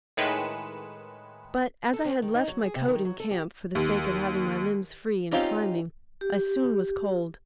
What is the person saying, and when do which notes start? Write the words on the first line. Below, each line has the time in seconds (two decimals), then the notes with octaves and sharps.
But, as I had left my coat in camp for the sake of having my limbs free in climbing, I soon was cold.
0.17 A2 D#3 G#3 B4 C#7 E7
1.93 A4
2.05 C4
2.22 D#3
2.35 D#4
2.48 F#3
2.63 G#4
2.75 C3
2.88 D#3
3.05 F#3
3.20 A4
3.31 G4
3.75 D#2
5.31 C4 C#4 D#4 F4 G4
6.21 G4